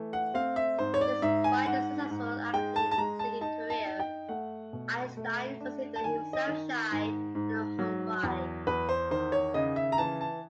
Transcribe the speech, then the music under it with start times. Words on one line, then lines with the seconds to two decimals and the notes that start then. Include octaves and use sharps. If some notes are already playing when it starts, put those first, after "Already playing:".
Despite a successful acting and singing career, Einstein considered himself shy and a homebody.
Already playing: E3 A3
0.13 F#5
0.34 C4 F5
0.56 E5
0.79 G#2 C5
0.94 C#5
1.01 D5
1.22 G#2 E5
1.44 G#5
1.66 G#2 F#5
2.10 G#2
2.53 G#3 G5
2.76 A5
2.91 A5
2.98 G#3 A#5
3.19 A5
3.41 D#4 A5
3.70 A5
3.86 D#4
4.00 G5
4.29 A3 F#5
4.73 B2
5.17 A3
5.61 D4
5.96 A5
6.04 D#3 G#5
6.33 D#5
6.47 D#3
6.92 G#2
7.35 G#2
7.79 F#3
8.23 E2
8.67 E2 B4
8.89 C5
9.11 D#3 C5
9.32 C#5
9.54 C#3 D#5
9.76 E5
9.92 A#5
9.98 E3 A5
10.21 A5